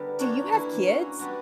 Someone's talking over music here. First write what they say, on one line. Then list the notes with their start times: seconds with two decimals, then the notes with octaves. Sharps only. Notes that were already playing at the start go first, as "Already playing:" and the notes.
"Do you have kids?
Already playing: D3 G3 B3 A#4
0.19 A#3 D4 F#4 C#5
0.52 E3 A#3 E4
0.86 A#3 C#4 F#4
1.19 G3 B3 D4 F#4